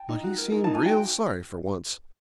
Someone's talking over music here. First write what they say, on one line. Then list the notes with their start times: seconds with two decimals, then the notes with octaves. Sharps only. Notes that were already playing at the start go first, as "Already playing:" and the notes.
But he seemed real sorry for once.
Already playing: G5 A5
0.09 D#4
0.23 F#4
0.38 A#4
0.52 D#4
0.64 D#4 A5
0.75 G#5
0.82 F#4 G5